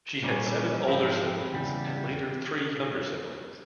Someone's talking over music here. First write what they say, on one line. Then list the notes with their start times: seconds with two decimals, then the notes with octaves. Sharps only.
She had seven older siblings and later three younger siblings.
0.23 A#2 G3 C#4
0.87 G#2 F3 C4 E4
1.53 E2 C#3 G3